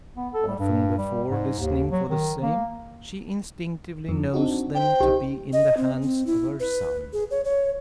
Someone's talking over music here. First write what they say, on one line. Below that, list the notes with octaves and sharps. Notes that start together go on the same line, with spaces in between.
Often before listening for the same, she instinctively knows them to be in the hands of her son.
B3
A4
G3
G2
G3
G#2
D#2
F#3
D#3
A#3
F2 F3 D#4
C4 D4 D#4 F#4
C5 G5
B1 D#4 G4
D#5
C4
C4
E4
B4
G#4
C#5
C#5